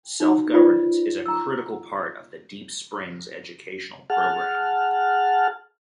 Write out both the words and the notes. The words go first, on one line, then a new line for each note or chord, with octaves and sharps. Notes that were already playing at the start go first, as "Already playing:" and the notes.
Self-governance is a critical part of the Deep Springs educational program.
D#4 F#4
F4 B4 C5 D5 B5
A#5 E6
G#4 F#5 A5 F6